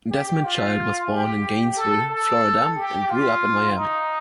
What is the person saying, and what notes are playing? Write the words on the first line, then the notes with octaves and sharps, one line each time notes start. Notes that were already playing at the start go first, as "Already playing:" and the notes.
Desmond Child was born in Gainesville, Florida and grew up in Miami.
G4
F4
G4
A4
A4
G4
F4
D#4